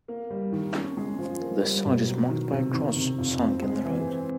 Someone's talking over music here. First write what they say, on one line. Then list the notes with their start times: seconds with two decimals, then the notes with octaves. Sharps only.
The site is marked by a cross sunk in the road.
0.08 A#3
0.30 G3
0.52 D#3
0.75 C#4
0.97 G#3
1.19 F3
1.41 A#3
1.63 G3
1.86 B2
2.08 F#3
2.30 D#3
2.52 C3
2.74 D#3
2.96 C3
3.18 F2
3.40 C4
3.62 G#3
3.85 E3
4.07 C4